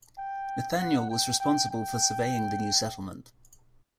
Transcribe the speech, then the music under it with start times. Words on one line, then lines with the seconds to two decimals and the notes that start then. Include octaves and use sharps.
Nathaniel was responsible for surveying the new settlement.
0.18 G5
0.79 F#5
1.10 G5
1.40 G5
1.71 G5